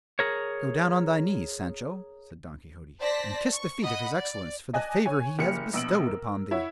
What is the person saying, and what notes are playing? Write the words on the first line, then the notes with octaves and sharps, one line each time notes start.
"Go down on thy knees, Sancho," said Don Quixote, "and kiss the feet of his excellence for the favour he has bestowed upon thee."
G#4 A#4 C#5
C5 D5 A5 A#6 B6
C#6
D#5 F#5 B5
D5
D5 D#5 G#5 A5 F#6
C#5 G#5
F#1 A#3 G4 F6 C#7
A#1 B2 E6 D7 F#7
A#4
E4 C#5 F#5